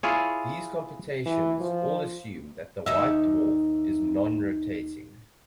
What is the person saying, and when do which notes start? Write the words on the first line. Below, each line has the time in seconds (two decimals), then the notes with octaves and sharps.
These computations all assume that the white dwarf is non-rotating.
0.03 E4 F4 G#4 C#5
1.26 E3
1.60 F3
2.86 D#2 D#4 E5